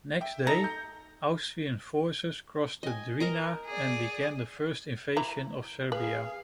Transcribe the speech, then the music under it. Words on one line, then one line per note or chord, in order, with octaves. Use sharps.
Next day, Austrian forces crossed the Drina and began the first invasion of Serbia.
E5 G5
D#4 A4 A#5 C#7
G6
D#5 G#5
A#4 D#5 A#5
G#4 D5
E3 E4 A#5
G#4 B4 F5